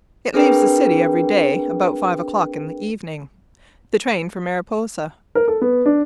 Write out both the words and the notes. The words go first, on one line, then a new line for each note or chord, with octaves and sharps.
It leaves the city every day about five o'clock in the evening, the train for Mariposa.
C4 D4 G#4 A#4 B4 G5
A#4
A4
B3
D4